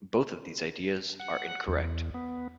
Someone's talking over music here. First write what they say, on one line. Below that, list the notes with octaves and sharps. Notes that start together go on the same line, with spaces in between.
Both of these ideas are incorrect.
F#5
E2
B3